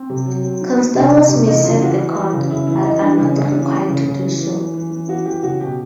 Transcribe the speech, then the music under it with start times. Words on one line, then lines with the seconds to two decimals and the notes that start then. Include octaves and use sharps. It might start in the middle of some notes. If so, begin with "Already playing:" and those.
Constables may serve the court, but are not required to do so.
Already playing: C4
0.10 C3
0.26 F#3
0.44 F#3
0.61 D#3
0.78 D#3
0.95 C3 D4
1.12 D#3
1.29 C3
1.47 E3 D#4
1.64 C#3 F4
1.81 E3 F#4
1.98 E3
2.16 E3
2.33 C#3
2.50 C#3 E4
2.67 E3 E4
2.85 E3 D#4
3.01 E3 D4
3.19 C#3 C#4
3.36 C#3
3.44 D4
3.53 E3 C#4
3.70 E3
3.88 C#3
4.05 C#3
4.23 E3
4.39 E3
4.57 E3
4.74 E3
4.91 E3
5.08 E3 F#4
5.25 E3 G4
5.43 C#3 F#4
5.60 B2 G4